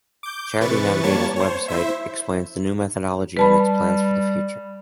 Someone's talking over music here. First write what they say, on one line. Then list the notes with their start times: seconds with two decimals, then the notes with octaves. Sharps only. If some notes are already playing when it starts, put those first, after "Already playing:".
Charity Navigator's website explains the new methodology and its plans for the future.
0.23 D6 G6
0.60 C3 E3 B4 C#6 A6
1.03 G3 A#3 C#5 A5 C#6 A6
1.36 C5 C#5
1.68 E4 C5 E5
3.37 G3 B4 A5 B5